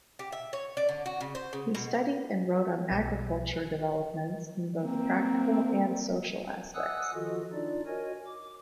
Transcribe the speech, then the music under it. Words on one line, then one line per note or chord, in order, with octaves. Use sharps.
He studied and wrote on agriculture developments in both the practical and social aspects.
G4
E5
C#5
D5
D3
F#4
C#3
C5
C#3
B2
B1
A#3 C4
F#5 G#5 D#6 E6 F#6
D#3 F3 F4 F#4 A4 D#5
D4 D#4 F4 D5
F#4 A#4 C#5 D#5 G#5
D6